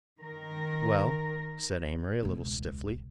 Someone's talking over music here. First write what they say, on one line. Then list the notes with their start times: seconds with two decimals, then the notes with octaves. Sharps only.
"Well?" said Amory a little stiffly.
0.19 D#3 A#4
2.23 E1 C#2